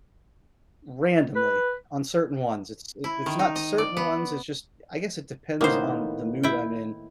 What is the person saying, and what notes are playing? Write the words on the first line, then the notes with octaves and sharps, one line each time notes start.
randomly, on certain ones, it's i it's not certain ones, it's just I guess it depends on the mood I'm in
B4
E4
D#3
D#4
D#5
D5
B3
A2 D#3 A#3 B3 C5
E4 G5